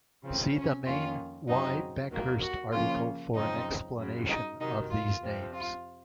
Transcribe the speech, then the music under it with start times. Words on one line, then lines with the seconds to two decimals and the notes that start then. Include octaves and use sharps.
See the main Y. Bhekhirst article for an explanation of these names.
0.23 C#3 F3 C4
0.55 C#4
0.86 F2 D#3 A#3 C#4 F4
1.48 F#2 C#3 F#3 C4 D#4
2.11 D#2 D#3 F#3 A#3
2.42 F#4
2.72 C#3 F3 A#3 C#4 F4
3.35 F#2 C#3 F3 C4 D#4
3.98 F#2 C#3 F#3
4.29 D#4
4.59 C3 D#3 F#3 D#4
4.90 F4
5.22 F2 C3 F3 C4
5.53 F4